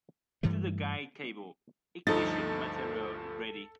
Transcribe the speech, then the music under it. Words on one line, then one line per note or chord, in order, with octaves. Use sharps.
To the guide cable. Ignition material ready.
G2 E3 G3 A3
D2 G2 F3 D#4 A4 A6